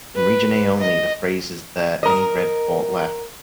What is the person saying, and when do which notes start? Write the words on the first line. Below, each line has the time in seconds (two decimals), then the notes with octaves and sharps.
In Region A only, the phrase Is there any red port left?
0.16 B4
0.81 D#5
2.03 A#4 D#5